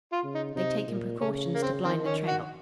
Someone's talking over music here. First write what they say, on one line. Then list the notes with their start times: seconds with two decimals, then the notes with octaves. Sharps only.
They've taken precautions to blind the trail.
0.12 F4
0.24 C#3
0.35 D#4
0.55 C3 D#4
0.88 A#2
1.21 C#3 C#4
1.55 A#3
1.63 C4
1.84 D#3 C4
2.06 C#4
2.28 F#4